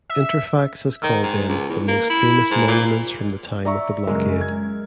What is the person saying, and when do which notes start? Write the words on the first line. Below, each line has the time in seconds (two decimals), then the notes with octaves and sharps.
Interfax has called them the "most famous monuments from the time of the blockade".
0.10 E5
1.03 D#3
1.23 G#2
1.48 C#2
1.69 E2
1.88 A#3
2.10 E4
2.51 G#2
2.68 A#2
3.65 D5 E5 A#5 C#6
4.07 F#2 C#3 G#3 A#4
4.41 G#3 G#6